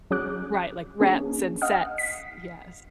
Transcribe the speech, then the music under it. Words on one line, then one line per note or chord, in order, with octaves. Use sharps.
Right, like, reps and sets, yes.
F#3 C#4 G#4 D6 F#6
A#3 C#4 D4 G#4
D#5 F5 F#5 D#6 F6
B6